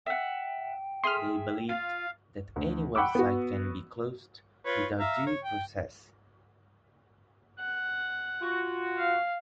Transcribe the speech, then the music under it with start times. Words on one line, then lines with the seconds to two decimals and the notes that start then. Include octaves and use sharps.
They believed that any website can be closed without due process.
0.06 E5 F#5 G5
1.04 G#4 E5 C6 F6
1.69 F4 F5
2.56 D2
2.95 F#5 G5 B5 C#6 D6 E6
3.15 B3 F#4
4.65 F4 B4 C#5
5.00 E5 F5 A#5
5.27 C#5
5.44 G5
7.60 F#5
8.42 F4 F#4
8.99 F5